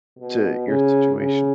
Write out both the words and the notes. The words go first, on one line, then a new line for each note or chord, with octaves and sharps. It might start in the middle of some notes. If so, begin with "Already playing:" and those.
to your situation.
B2
C#3
C#3